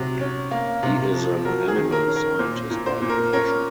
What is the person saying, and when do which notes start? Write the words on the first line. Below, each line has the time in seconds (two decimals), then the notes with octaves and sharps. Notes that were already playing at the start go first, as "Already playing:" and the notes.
He is an animal scientist by profession.
Already playing: C3 F#3
0.21 C#4
0.51 A#3
0.83 C3
1.14 F3
1.45 F#3 A#4
1.68 G#4
1.76 D#3
1.92 A#4
2.08 C#4
2.16 A#4
2.39 A#2 C5
2.70 A#2
2.86 C5
3.02 A#2
3.09 A#4
3.33 C#4 A#4